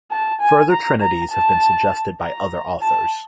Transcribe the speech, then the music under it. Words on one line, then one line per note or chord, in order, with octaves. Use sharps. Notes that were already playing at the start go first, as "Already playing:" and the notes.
Further trinities have been suggested by other authors.
A5
G#5
A#5
A#5
A5
A#5
A5